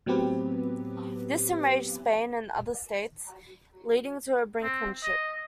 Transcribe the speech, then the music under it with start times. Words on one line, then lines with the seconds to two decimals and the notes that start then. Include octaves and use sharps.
This enraged Spain and other states, leading to brinkmanship.
0.06 A2 F#3 B3 C4 G4 B4
4.63 C4
5.04 D#5